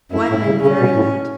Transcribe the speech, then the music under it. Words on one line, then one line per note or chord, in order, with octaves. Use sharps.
White man very bad.
F#2 E4
A2
C#3
C#3 C#4
B2
A2